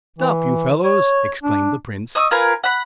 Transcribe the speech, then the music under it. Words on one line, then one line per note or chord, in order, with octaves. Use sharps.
"Stop, you fellows!" exclaimed the prince.
E3
C#5
D4
D#5 C#6 D#6 E6
F4 A#4 B4 G#5
F#5 B5